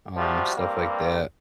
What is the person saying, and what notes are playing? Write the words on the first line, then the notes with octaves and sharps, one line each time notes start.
um, stuff like that,
C3 F3 G3 F#4
G2 G3 A#3 C4